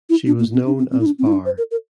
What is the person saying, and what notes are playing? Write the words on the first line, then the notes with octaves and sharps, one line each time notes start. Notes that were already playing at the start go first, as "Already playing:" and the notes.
She was known as "Bar".
E4
D4
A#3
C4
D4
C4
C4
E4
D4
C4
E4
D4
C5
A#4
A#4